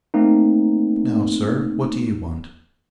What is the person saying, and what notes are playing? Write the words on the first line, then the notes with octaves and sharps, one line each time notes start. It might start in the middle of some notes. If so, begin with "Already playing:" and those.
'Now, sir, what do you want?
A3 A#3 C4 D#4